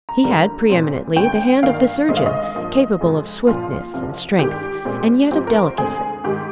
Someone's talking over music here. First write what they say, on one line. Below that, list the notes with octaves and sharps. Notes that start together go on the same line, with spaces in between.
He had, pre-eminently, the hand of the surgeon, capable of swiftness and strength, and yet of delicacy.
A#5
D#2 D3 G3 A#3
A#2 G#3 C4
D#2 D3 G#3 C4 G5
G2 D#3 A#3 F5
D2 C3 D#3 G#3 C4 D#5
F5
D#5
G2 F3 A#3
F2 C3 F3 G#3
A#2 F3 A#3 F4
C2 C3 F3
G2 D#3 G#3 G4
A#2 G#3 C4
G#2 F3 C4 G4
A#4
C5
D2 D3 G#3 C4 G#4
G#2 D#3 G#3 G4